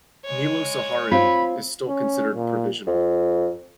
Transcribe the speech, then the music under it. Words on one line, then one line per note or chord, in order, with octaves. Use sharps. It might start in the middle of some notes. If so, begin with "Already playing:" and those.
Nilo-Saharan is still considered provisional.
G#3 C#5
C4 F4 B5
C#4
A#2
F2